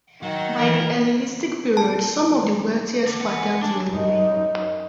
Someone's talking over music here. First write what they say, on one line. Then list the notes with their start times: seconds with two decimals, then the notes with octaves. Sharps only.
By the Hellenistic Period, some of the wealthiest Spartans were women.
0.23 D#3 F#3 F#5
0.59 E3 A#4
1.77 A5
3.06 D3
3.20 B3 F#5
3.35 G#5
3.62 D4 A5
3.89 F#2 D#4